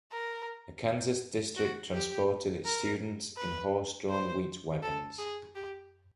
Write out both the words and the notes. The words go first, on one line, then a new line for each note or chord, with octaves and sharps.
A Kansas district transported its students in horse-drawn wheat wagons.
A#4
F#4
G4
A#4
B4
C5
A4
G#4
G4